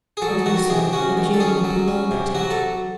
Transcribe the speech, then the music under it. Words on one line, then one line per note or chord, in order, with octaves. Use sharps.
"Adieu, sir, adieu, my beloved protector."
G#4
F#3 A4
D#3 F#4
C3 G#4
C#4 F#4
D#3
A4
C#4 G#4
F#3
C#4
C3
F#3 F#4
A4